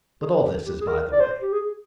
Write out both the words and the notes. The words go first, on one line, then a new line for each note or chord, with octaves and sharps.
But all this is by the way.
G#4
G4
G4
G#4
A#4
D5
C5
G4
G#4